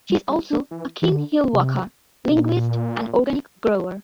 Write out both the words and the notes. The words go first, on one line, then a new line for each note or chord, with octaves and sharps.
She is also a keen hill-walker, linguist and organic grower.
G3
G3
D4
E3
E3
D3
C3
C3
A#2